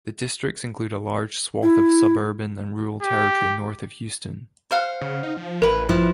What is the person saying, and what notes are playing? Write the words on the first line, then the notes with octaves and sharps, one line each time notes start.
The district includes a large swath of suburban and rural territory north of Houston.
E4
G4
C5 F5 F#5
C#3
D#4
F3
A1 E4 A#4 B4
F3 E4 F#6